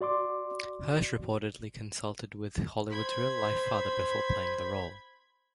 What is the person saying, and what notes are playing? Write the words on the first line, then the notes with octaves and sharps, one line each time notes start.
Hirsch reportedly consulted with Hollywood's real life father before playing the role.
F#4 D5 C6 D6
C5 B5 G#6